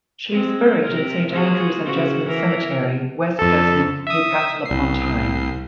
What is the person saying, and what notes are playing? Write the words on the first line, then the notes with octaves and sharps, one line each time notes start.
She is buried in Saint Andrew's and Jesmond Cemetery, West Jesmond, Newcastle upon Tyne.
G#3 C4
C3 A#4
F4 F#4 G#4
C#3 F#4 C5
E3 A#4
F2 A4
E5 D#6
C2 C7